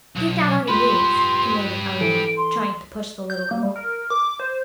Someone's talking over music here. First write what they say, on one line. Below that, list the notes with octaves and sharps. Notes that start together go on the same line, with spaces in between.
"Get down on your knees," commanded Elinor, trying to push the little girl.
B1
F4 G4 B4 B5 C6
E3 A4 D7
C6
G6
A#3
G3
A#4
D6
C5